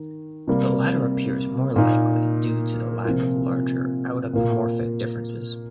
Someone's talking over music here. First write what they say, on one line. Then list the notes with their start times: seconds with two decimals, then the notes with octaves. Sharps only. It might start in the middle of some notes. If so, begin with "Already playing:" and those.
The latter appears more likely due to the lack of larger autapomorphic differences.
Already playing: D#3
0.48 C3 G3 A#3
1.76 A#2 A#3 D#4
3.04 C3 F3 A#3 F4
4.33 A#2 A#3 F4